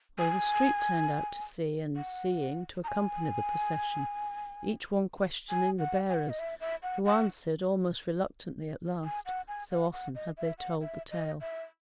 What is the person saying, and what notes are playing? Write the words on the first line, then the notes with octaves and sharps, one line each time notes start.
All the street turned out to see, and, seeing, to accompany the procession, each one questioning the bearers, who answered almost reluctantly at last, so often had they told the tale.
G#5
F#5
A#5
G#5
G#5
F#5
G#5
F#5
D#5
E5
E5
F#5
F#5
G#5
F#5
G#5
F#5
F#5
D#5
E5
F#5
E5
D#5
E5